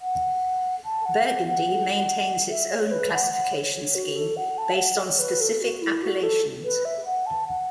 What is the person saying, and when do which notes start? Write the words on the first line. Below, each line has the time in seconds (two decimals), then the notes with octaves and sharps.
Burgundy maintains its own classification scheme based on specific appellations.
0.01 F#5
0.84 A5
1.05 F#5
1.26 F#5
1.47 F#5
2.50 E5
2.71 C#5
2.91 B4
3.12 F#5
3.33 F#5
3.53 C#5
3.74 C#5
3.95 F#4
4.16 A4
4.37 F#5
4.58 A5
4.74 E5
4.78 F#5
4.99 C#5
5.19 B4
5.41 A4
5.61 F#4
5.82 E4
6.02 F#4
6.23 A4
6.64 B4
6.85 E5
7.05 F#5
7.26 A5
7.47 F#5